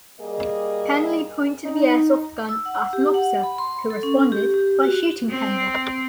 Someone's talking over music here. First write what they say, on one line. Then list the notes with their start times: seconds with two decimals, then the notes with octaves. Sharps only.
Penley pointed the Airsoft gun at an officer, who responded by shooting Penley.
0.20 G3 A#3 G#4 A#4 D#5
1.65 D#4
2.49 E6
2.65 F#5
2.93 G4
3.14 F#5
3.43 B5
3.58 C6
3.90 A4
4.03 C#4
4.32 G4
4.54 G4
4.83 F#4
5.30 C4